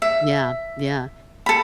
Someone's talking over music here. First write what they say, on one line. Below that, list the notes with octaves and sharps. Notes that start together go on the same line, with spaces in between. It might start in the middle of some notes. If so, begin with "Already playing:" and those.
Yeah. Yeah.
E5
A4 B5